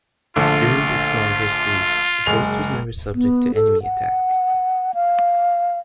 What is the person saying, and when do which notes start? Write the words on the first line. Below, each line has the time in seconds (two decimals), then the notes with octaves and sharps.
During its long history, the post was never subject to enemy attack.
0.36 A#1 D3 A3 F4
2.26 F#1 G#3 F7
3.15 B3
3.55 A4
3.83 F#5
4.94 F5